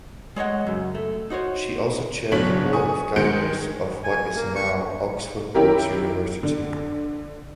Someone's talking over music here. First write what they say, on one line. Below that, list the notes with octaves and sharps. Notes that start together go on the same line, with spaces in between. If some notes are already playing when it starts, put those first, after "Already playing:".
She also chaired the board of governors of what is now Oxford Brookes University.
G#3 C#5 D#5 F#5
F#2 C#3
A3
D#4 F#4 C5 C#5
F#1 B2 D4 C#5 B6 F#7
G#5 C#6 D#6
D#3 G#3 G6 C#7 D7
G#5
A#3
C#6
D#3 C#4 E4 G4 A#4
D3